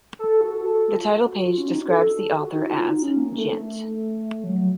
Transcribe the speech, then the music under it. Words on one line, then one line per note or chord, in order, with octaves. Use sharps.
The title page describes the author as "Gent".
A4
F#4
A4
F4
F#4
F4
C#4
D#4
F#4
A4
F#4
F#4
D#4
F#4
F4
D#4
C#4
A#3
A#3
A3
F#3